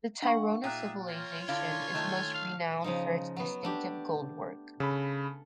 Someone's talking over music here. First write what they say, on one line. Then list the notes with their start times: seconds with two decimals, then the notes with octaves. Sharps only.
The Tairona civilization is most renowned for its distinctive goldwork.
0.22 D4 F5 F#5 C#6
0.64 A#2 D#4 G#4 E5 G5 F#6
1.08 A#3 F4 C#5
1.48 D3 E4 F5 G#5
1.94 D#3 A3
2.34 F5 F7
2.84 C#3 F3 D#4
3.36 F#3 B3
3.63 A3 D4 G4
4.80 C#3 A4 B5